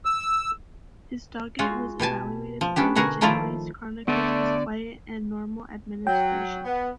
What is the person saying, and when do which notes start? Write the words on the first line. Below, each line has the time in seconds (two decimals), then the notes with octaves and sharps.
His Dogate was evaluated by the Genoese chronicles as quiet and "normal administration".
0.05 E6
1.59 G#3 F4 F#4
2.00 B2 G4 G#5 A5
2.61 F3
2.76 B3 C#4 D4 G4
2.96 B2 D3 F#4 G#4 A#4
3.21 D#3 F3 A3 E4 F4 D5
4.08 D3 A3 B3 D5
6.07 F#3 G5
6.64 B3